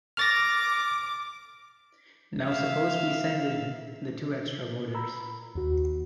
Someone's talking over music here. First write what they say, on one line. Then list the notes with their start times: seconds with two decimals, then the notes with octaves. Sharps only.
Now suppose we send in the two extra voters.
0.17 D6 F6 A6 A#6
2.46 E5 F5
4.95 A#5 B5 E6
5.17 B5
5.55 D#2 F#4